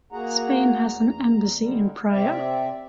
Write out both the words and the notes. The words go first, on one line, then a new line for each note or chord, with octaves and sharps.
Spain has an embassy in Praia.
A#3 F#4 G#4 F#5 A#5
E2 A#5
D3 G3 G#3
C3 C4 D5 E5